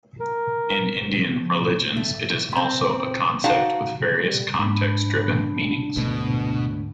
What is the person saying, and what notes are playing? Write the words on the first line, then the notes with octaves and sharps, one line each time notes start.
In Indian religions, it is also a concept with various context-driven meanings.
A#4
F3
A3
C3 C4
D#4 F#4 F5 F#5 A5
G3
G#2 D4 B5
D2 B2